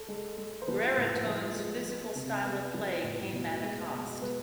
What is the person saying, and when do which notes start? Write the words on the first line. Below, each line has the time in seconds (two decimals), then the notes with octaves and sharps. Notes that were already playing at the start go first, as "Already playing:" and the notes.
Brereton's physical style of play came at a cost.
Already playing: A4
0.08 G#3
0.38 G#3
0.62 C5
0.67 F3 B3 B4
0.97 A2
1.26 F3
1.56 G#3
1.85 G#3
2.15 C3
2.44 G#3 B3 B4
2.74 F3
3.04 A2
3.33 B2
3.63 G#3
3.93 B2
4.21 G#3 B3 B4